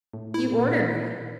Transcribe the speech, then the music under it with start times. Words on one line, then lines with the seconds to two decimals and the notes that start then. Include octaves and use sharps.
"You order me?"
0.13 A2
0.34 E4
0.52 A#2